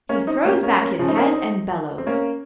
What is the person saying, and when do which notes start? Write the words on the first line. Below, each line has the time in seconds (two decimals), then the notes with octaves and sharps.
He throws back his head and bellows.
0.09 A#3 C#4
0.27 C4 D#4
0.45 A#3 C#4
0.63 A#3 C#4
0.81 A#3 C#4
0.99 C#3 F3
1.08 C4 D#4
1.17 A#3 C#4
1.26 C4 D#4
1.98 C4
2.07 A#3 C#4